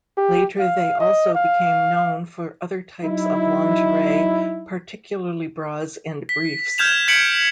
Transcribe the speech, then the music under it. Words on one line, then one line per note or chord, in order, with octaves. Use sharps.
Later they also became known for other types of lingerie, particularly bras and briefs.
G4
F5
D#5
F5
F#3 D#4 E4
B6
F6 G6 G#6 E7 F7
G#6 B6 C#7 D7 F#7